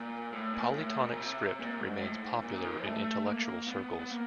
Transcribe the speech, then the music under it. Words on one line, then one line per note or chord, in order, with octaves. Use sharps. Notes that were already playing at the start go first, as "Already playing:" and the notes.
Polytonic script remains popular in intellectual circles.
Already playing: A#2
A2
A#2
A2
A#2
C3
A#2
G#2
A2
G#2
A#2
D#3
A3
A#3
B3
B3
A#3